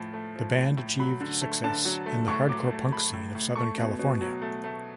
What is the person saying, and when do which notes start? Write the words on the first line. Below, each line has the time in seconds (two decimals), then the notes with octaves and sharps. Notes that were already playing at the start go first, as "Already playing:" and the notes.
The band achieved success in the hardcore punk scene of Southern California.
Already playing: A2 F3
0.13 A3
0.36 F3
0.56 A2
0.77 A2
0.99 F#3 B5
1.21 D3
1.41 A3
1.64 D3 A5
1.85 F#3
2.06 A3
2.28 A2 C#6
2.49 F#3 D6
2.71 A3
2.92 A3 B5
3.13 A2
3.35 A2
3.56 A3 C#6
3.78 B2
3.99 B2
4.21 F#3
4.42 A3
4.64 A3